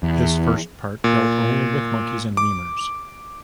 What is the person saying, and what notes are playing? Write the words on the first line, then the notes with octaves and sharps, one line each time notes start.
This first part dealt only with monkeys and lemurs.
E2
A#2
D6